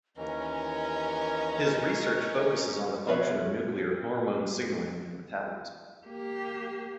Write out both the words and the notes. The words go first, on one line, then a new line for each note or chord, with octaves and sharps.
His research focuses on the function of nuclear hormone signaling and metabolism.
D#2 E3 C#4 A#4 D#5
F3 B4 C#5 E5
A#3 G4